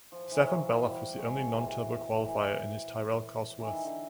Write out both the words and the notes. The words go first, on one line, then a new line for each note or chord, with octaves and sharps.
Stefan Bellof was the only non-turbo qualifier in his Tyrrell-Cosworth.
F3
E3
F3
E3 F#3
F3 G3
F#3 G#3
E3 F#3
E3
E3
D#3
D3